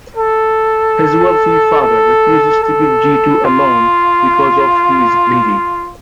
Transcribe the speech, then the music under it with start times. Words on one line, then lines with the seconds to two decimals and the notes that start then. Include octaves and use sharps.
His wealthy father refuses to give Jeetu a loan because of he is greedy.
0.17 A4
1.81 A4
2.63 A4
3.45 F4